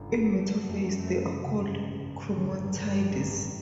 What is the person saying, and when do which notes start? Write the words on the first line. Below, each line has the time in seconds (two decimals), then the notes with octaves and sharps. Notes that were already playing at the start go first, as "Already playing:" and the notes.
In metaphase, they are called chromatids.
Already playing: G1 D3
0.09 F#3
0.24 F#3
0.38 A3
0.54 F#3
0.69 F#2
0.84 F#3
0.99 A3
1.14 A3
1.29 C#3
1.44 C#3
1.60 G2
1.74 A1
1.89 A1
2.04 A1
2.19 G2
2.35 D3
2.50 G2
2.64 A1
2.80 G2
2.95 G3
3.11 A1
3.26 G2